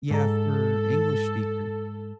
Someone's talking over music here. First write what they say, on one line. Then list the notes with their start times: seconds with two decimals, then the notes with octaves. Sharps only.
Yeah, for English speaker
0.11 G#2 A4 A#5